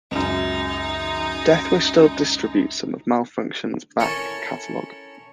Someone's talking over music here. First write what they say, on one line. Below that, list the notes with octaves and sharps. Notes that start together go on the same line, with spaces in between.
Deathwish still distributes some of Malfunction's back catalog.
C#2 F#2 D#4
C#4 E4 A4 A#4 C#5